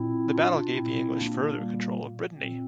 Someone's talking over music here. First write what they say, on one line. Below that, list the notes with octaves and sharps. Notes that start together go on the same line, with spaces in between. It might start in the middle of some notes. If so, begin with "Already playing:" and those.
The battle gave the English further control of Brittany.
Already playing: A#2 C4 E4
D4 F4
A#2 C4 E4
A#3 D4
G3 A#3
A#2 C4